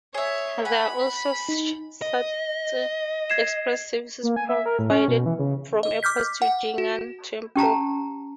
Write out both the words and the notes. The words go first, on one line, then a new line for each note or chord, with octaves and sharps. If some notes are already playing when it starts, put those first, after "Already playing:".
There are also Shuttle Express Service provided from airports to Jing'an Temple.
G#4 C#5 E5
F#5 G#5 B5
D#4
D#5
G#6 C7 E7
A#3
G#5
E5
A#4
A2
C#4
B2
E3
C#3
D#5
D6 F6 G6 B6
F#5
F#4
C#4 G4 A5 A#5